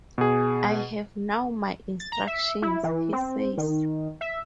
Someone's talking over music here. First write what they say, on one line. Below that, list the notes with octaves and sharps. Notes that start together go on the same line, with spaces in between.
"I have now my instructions," he says.
B2 G#4
A6
A#5
E5
E4
E3
C4
D#3
E5